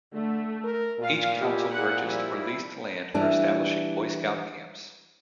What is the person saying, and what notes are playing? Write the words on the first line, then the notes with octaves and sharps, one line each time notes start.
Each council purchased or leased land for establishing Boy Scout camps.
D3 A3
A#4
A#2 F4 F5
E4 F4 G4
E4 G#4 F#5
F3 G3 E4
E3 G3 D4